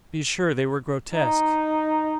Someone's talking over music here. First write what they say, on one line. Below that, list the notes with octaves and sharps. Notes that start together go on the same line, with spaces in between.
Be sure they were grotesque.
D#4